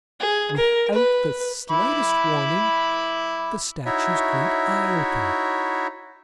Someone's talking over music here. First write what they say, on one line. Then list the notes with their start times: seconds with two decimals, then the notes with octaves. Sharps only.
Without the slightest warning the statue's great eye opened!
0.20 G#4
0.57 A#4
0.94 B4
1.70 E4 B5 D6
3.86 D#4 E4 F#4 C#5 E5